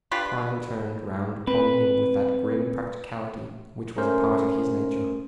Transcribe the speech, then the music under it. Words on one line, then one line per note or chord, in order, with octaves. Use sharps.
Pine turned round upon him with that grim practicality which was a part of his nature.
D4 F4 G4 B4
C4 B4
A3 C#4 A#4 C5